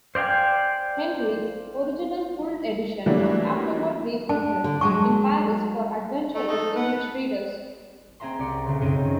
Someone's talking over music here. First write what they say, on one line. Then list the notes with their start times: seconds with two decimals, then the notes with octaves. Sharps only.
Henry's original full edition was afterward reprinted in Paris for adventurous English readers.
0.15 C5 D5 F5 G5 G#5
3.06 E3 F#3 G3 A3 A#3 D4
4.29 D4 A5
4.64 D3
4.81 F#3 G#3 A5 C#6
6.35 A3
6.48 D#4 A4
6.76 B4 F#5
8.20 C4 G#4 E5 A#5 C6
8.39 C2 D5 C#7
8.66 B1 C#3
8.81 F#2 C#3 C4 D#4 D#7
9.04 D#3